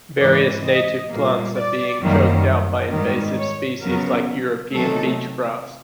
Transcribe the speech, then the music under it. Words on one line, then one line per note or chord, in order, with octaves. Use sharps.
Various native plants are being choked out by invasive species like European beach grass.
G#2 E3 G#3 D5
D#5
A#2 G3 A#3
D5
F#2 D#3 G3 A#3
G#2 D#3 G3
C#5
F2 C#3 F#3 B3 A#4
C3 D#3 F#3 A3 A4